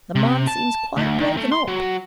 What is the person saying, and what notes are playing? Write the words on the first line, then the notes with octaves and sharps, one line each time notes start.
'The man seems quite broken up.
C3
A5
D2
D#3
A3
C6
F#3